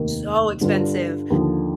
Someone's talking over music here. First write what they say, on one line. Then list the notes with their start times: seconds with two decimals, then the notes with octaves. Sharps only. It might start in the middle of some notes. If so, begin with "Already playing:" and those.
So expensive.
Already playing: F1 D#2 D#3 A#3
0.61 G2 D3 G3 D4 F4
1.30 D#2 D3 F3